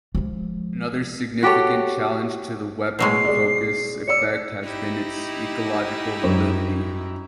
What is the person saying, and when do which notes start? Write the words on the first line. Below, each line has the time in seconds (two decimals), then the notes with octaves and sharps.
Another significant challenge to the weapon focus effect has been its ecological validity.
0.15 F3 G#3
1.43 F#4 G4 A4 C#5
2.99 B2 F#3 G#3 C7
3.25 G#4 D5
4.07 C#5 D5 E6 C#7
4.63 D#4 E4 G4
6.23 F#2